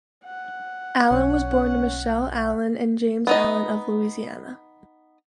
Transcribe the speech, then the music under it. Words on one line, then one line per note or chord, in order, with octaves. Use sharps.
Allen was born to Michelle Allen and James Allen of Louisiana.
F#5
B1 C#4
B3 D#4 D#5